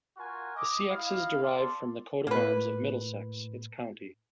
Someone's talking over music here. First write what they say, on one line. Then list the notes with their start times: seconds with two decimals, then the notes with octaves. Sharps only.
The seaxes derive from the coat of arms of Middlesex, its county.
0.17 F4 F#4 A#4 G#5
0.56 D#5 D6
0.89 E4 D#5 F5
1.42 A4 D5 C6
2.27 A2 A#3 B4